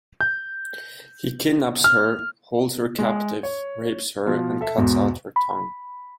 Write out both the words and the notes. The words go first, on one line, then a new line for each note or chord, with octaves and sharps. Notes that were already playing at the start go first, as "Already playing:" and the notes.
He kidnaps her, holds her captive, rapes her, and cuts out her tongue.
G6
F6
G#3
C#5
B2 F3
A4 E5
E2 G#2 B2
B5